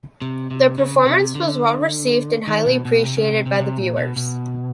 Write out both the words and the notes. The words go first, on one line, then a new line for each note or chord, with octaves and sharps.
The performance was well received and highly appreciated by the viewers.
C3
C3
C#3
C3
D3
D#3
B2
B2
C3
C#3
C3
C3
C3
A#2
B2
B2